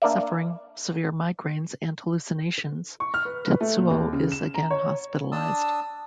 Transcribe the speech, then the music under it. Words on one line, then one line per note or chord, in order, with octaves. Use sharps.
Suffering severe migraines and hallucinations, Tetsuo is again hospitalized.
A#3 D4 A#4 D5 E5
C#6
F6
B4
B4
A3
A#2
D#2
C#3
E7
A#5
C#5
D4 A5 D#6 E6